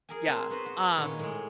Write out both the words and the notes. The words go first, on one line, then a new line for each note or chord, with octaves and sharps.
Yeah. Um,
G#4 A#4 G#5
C4
B3 F#4 B4 C5
F#4
A#2 D#3 C#5 G#5
A2 G#3